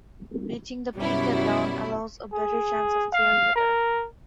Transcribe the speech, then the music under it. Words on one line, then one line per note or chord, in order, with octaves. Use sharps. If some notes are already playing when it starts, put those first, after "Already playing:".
Reaching the peak at dawn allows a better chance of clear weather.
F#2 B2 G3 E4
G#4
F5
A#4